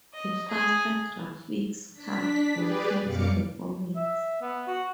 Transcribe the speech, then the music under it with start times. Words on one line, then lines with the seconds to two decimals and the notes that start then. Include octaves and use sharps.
A faster graphics card improves performance.
0.14 D#5
0.49 G#4
1.93 D4 B6
2.50 G4 G#4 B4 D5
3.02 F#2 B2 G3 F5 D6 C#7
3.96 E5
4.42 B3
4.67 F#4